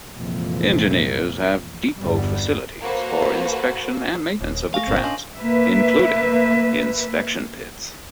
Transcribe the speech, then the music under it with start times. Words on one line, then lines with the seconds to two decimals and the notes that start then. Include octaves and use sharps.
Engineers have depot facilities for inspection and maintenance of the trams, including inspection pits.
0.17 C2 F2 A#2 E3 F3 G#3
2.00 G1 E2 G3 B3
2.80 A#3 F#4 A4 B4 C5
4.41 D#1 D#2
4.74 A3 F5 G#5 C#6 A#6
4.87 G1 A#2 C4
5.03 C#4 D4 C5 D#5 G#5 C6 F#7
5.38 A#3 B4 E5